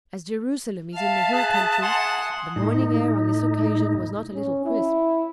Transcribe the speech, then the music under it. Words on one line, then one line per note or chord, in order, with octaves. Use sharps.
As Jerusalem is in the hill country, the morning air on this occasion was not a little crisp.
E5 F5 A5
G#4 F#6
F#5 G#5 C6 D#6
A2 D#4
C#4
E4